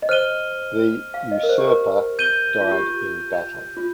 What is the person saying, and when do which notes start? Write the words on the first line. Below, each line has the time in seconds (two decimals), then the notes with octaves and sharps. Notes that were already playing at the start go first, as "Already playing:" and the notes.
The usurper died in battle.
0.02 D#5
0.09 C5 F6 D#7 G7
1.14 F5
1.31 D#5
1.43 A#4
1.49 C5
1.58 G4
1.67 A#4
2.19 G6 D#7 G7
2.61 F4
2.72 G4
3.77 F4